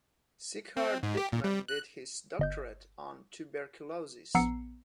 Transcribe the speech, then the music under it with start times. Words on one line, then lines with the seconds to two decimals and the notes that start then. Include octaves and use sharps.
Sieghart Dittmann did his doctorate on "Tuberculosis".
0.77 C4
1.03 G#2
1.17 G4
1.32 A#2
1.44 G3
1.68 F#6
2.39 G1 D#5 G6
4.35 A#1 B3 A#5 E6 C7 C#7